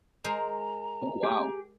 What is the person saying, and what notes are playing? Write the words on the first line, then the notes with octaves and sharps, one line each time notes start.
Oh, wow.
G#3 A#4 C5 A#5
G4 G#4